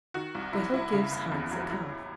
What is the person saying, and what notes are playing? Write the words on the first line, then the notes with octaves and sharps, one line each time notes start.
Grettel gives Hans a calf.
D#3 F#4
C2
C3 E4
C2 E4
C#3
F#1
E2
F#3
F#4
F#3 E4
A1